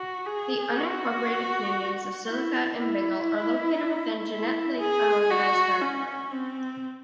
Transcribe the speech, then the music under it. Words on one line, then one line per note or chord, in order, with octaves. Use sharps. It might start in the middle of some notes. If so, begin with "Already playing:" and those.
The unincorporated communities of Silica and Bengal are located within Janette Lake Unorganized Territory.
Already playing: F#4
G#4
F#4
E4
E4
E4
G#4
F#4
C#4
C4